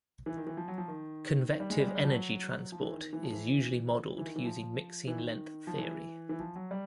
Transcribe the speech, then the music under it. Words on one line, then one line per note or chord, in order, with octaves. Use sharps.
Convective energy transport is usually modeled using mixing length theory.
E3
D#3
E3
F3
F#3
F3
D#3
D#3
G3
G#3
G3
G#3
G3
F3
F#3
F3
E3
D#3
D#3
E3
F3
E3
E3
D#3
E3
F3
E3
D#3
F3
E3
E3
F3
F#3
G3